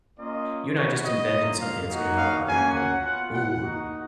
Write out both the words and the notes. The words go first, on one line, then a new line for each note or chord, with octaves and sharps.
you and I just invented something that's gonna help out everybody. Ooh!
A#3 C#4 F4 D#5
B3 F#4 C#5
D#5
A#3 F4
F5
A#3 D#4 F#4
F5
A#3 C#4 F#4 G#5
F#5
B3 F4 F#5
F#5
A#3 D#4 F#4